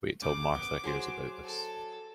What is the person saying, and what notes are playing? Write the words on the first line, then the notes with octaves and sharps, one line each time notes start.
Wait till Martha hears about this.
C#3 D6
B3
F#3 G#4 C5
A4